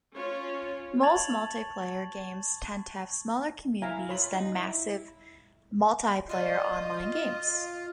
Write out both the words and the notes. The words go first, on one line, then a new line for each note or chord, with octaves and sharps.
Most multiplayer games tend to have smaller communities then massive multiplayer online games.
C#4 F4 C#5
A5 C#6 G#6 A6 F7 F#7
E4 F5 G#5 A#5
F4 C#5 B5
D#4
E4
D4 F4 F#4 C5 D#5